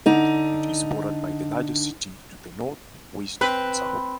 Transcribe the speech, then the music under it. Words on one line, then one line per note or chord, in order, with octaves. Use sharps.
It is bordered by the larger city to the north, west, and south.
D3 D#4
C4 B4